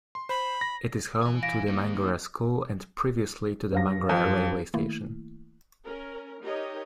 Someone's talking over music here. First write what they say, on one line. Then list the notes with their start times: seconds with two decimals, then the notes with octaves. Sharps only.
It is home to the Mangaroa School and previously the Mangaroa Railway Station.
0.15 C6
0.29 C5 B5
0.61 A#6
1.23 E3 G#5
1.43 F5 A#6 D7
1.68 A#3 D#4
3.72 G2 F5 A#6
4.09 F2
4.74 D#3 A3 A#3 E4
5.84 C#4 A#4
6.43 D#4 G4 A#4 C#5 D#5